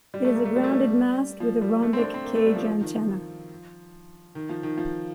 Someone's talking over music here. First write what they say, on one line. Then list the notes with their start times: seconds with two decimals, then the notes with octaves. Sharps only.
It is a grounded mast with a rhombic cage antenna.
0.14 G3
0.24 A3
0.35 A#3
0.45 A3
0.56 G3
0.64 A3
0.71 G3
1.40 F3
1.61 G3
1.82 A3
1.93 C4
1.99 D4
2.04 C4
2.14 C4
2.24 A#3
2.35 A3
2.46 G3
2.56 F3
2.67 F3
2.81 D#3
2.95 F3
3.09 F3
4.35 D#3
4.49 F3
4.63 D#3
4.78 F3